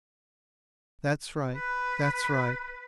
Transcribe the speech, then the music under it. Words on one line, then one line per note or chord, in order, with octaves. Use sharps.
That's right, that's right.
B4